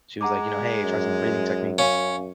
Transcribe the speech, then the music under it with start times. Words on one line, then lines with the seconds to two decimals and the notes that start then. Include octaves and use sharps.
she was, like, you know, "Hey, try some breathing techniques"
0.21 G#3 F#5 A#5 D6
0.84 F#2
1.78 C#4 F5 G#5